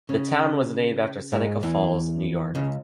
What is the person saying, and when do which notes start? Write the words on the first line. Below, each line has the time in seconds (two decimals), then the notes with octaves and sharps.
The town was named after Seneca Falls, New York.
0.09 C#3 C#4
1.32 G#2 G#3
1.63 E2 E3
2.55 C#2 C#3